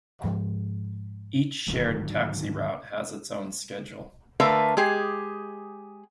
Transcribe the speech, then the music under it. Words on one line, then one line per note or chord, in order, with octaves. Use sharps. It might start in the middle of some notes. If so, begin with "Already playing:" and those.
Each shared taxi route has its own schedule.
G#2 F3 G#3
G#2 D3 D#3 F#3
D3 A3 A#4 B4 E5 F5
G#3 G4 G#4